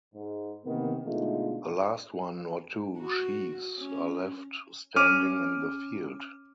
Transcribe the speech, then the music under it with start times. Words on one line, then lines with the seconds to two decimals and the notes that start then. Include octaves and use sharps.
The last one or two sheaves are left standing in the field.
0.14 G#2
0.66 C3 D#3 E3 A#3 B3
1.05 B2 D3 G#3 A3 D#4 F4
2.99 F#4
3.78 C#4
4.96 C#4 D6 F6